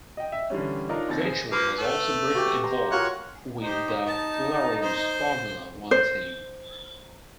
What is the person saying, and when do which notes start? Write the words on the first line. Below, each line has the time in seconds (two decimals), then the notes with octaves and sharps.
Venturi was also briefly involved with the Larrousse Formula One team.
0.17 D#5 G5
0.32 E5
0.50 D3 E3 G3 C#4
0.89 D4 D#4 F4 A#4 C#5
1.09 D#2 C4 C5 A6 A#6
1.25 G#4 C5
1.52 F3 A#3 B4
1.79 A3 A4
2.35 F#4 G4
2.64 A#5 C6
2.91 F4 F#4 A#4 C#5 F#5
3.63 D#4 G4 C5
4.06 A5
4.82 C5
5.91 C5